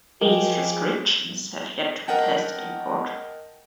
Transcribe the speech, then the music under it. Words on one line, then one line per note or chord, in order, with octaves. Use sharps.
These restrictions have yet to be tested in court.
F3 G#4 A#4 D#5 G5 G#5 D6
A#4 D#5 F#5 G5 A5